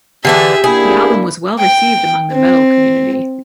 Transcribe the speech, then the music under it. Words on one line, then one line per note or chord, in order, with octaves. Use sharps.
The album was well received among the metal community.
D3 E3 D4 G4 G#4 E5
A#3 D4 E4 G#4
G5
C4